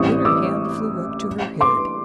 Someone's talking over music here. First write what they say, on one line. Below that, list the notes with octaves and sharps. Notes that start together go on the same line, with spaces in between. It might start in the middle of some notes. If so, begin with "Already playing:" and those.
Then her hand flew up to her head.
Already playing: A1 A2 E3 G3 C4 C#6 D#6
D6 E6
C6 D6